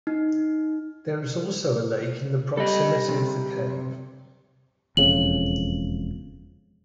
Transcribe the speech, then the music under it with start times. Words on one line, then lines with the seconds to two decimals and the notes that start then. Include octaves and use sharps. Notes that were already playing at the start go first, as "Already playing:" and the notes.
There is also a lake in the proximity of the cave.
0.07 D#4
2.57 G3 A4 D#5
3.08 C3
4.97 E1 F2 C#3 F#7